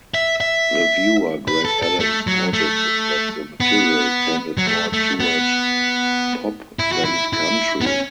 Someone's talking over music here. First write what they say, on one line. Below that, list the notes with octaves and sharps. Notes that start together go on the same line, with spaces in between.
Reviewer Greg Adams noted that the material tended more toward pop than country.
E5
E5
B4
A4
A4
A3
F#3
A3
B3
F#3
A3
A3
B3
E4
F#4
E4
E4
B3
C#4